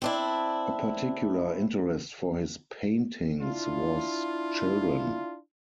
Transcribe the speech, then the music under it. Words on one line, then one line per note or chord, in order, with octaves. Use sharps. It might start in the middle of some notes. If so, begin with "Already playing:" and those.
A particular interest for his paintings was children.
C4 D4 E4
D4 E4 F4